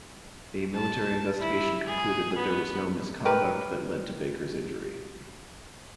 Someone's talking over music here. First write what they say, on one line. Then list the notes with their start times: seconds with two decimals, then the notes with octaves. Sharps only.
A military investigation concluded that there was no misconduct that led to Baker's injury.
0.73 A5
1.39 E4
1.86 G#4
2.37 B3
3.25 G4 A#4 B4